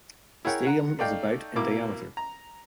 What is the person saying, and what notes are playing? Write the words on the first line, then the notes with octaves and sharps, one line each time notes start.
The stadium is about in diameter.
E4 G#4 A#4 C#5 F#5 G5
F#5 A#5
A3 D#4 D5 F5 G5
B2 A#3 E4 D6
A#5